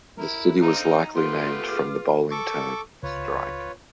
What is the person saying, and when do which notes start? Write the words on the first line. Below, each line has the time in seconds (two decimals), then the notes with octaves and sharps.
The city was likely named from the bowling term "strike".
0.18 E4 A#4
0.61 D3 C4 D#4 F5 A#5
1.15 A3 B3 F4 G4 C6
1.67 G#4 B4 D6 F6
2.31 A4 C#6 D6
3.03 C#2 F4 B4 C#5